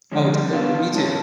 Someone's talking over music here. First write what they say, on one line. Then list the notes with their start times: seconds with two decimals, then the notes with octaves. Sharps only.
Oh, d uh, me too.
0.12 D3 F3 G#3 C#4
0.32 G3
0.53 B3 D4 F4
0.73 D#3
0.93 G#3 C#4 E4 A4